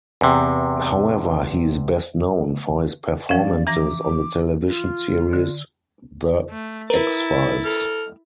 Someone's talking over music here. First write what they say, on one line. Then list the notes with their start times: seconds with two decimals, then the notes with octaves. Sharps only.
However, he is best known for his performances on the television series "The X-Files".
0.21 E2 C3
3.29 F3 C#4 D5
3.67 E3 A#5 D6 A#6
4.66 F4
5.33 D3
6.50 A3
6.90 E4 A#4 B4 A#5 A6
7.65 A4 F6